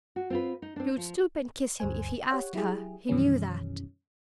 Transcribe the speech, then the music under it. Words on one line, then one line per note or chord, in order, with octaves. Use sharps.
She would stoop and kiss him if he asked her; he knew that.
F#4
C4 F4 B4
D#4
C4 D4
F3
D2 G2 C5 G#5
G4 C#5 F#5
F#3 E4 G4 G#4
F#2 B2 D#3 E3 G3 C#4